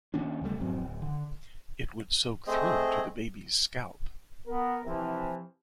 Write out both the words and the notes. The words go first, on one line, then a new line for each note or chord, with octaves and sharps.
It would soak through to the baby’s scalp.
D#3 A#3 C#4 D4
D2 C#3 G3 A3
G#1 F2 F#3 C4
D1
D3
A3 C4 G#4 C5 D#5
B3 A#4
C3 E3 F3